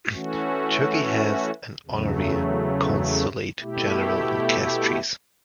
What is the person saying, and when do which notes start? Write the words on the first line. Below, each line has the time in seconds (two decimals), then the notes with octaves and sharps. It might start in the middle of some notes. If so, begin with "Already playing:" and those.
Turkey has an Honorary Consulate General in Castries.
0.12 E3 A3 C#4 F#4
1.86 E2 C#3 F#3 A3
3.59 B2 A3 E4 G4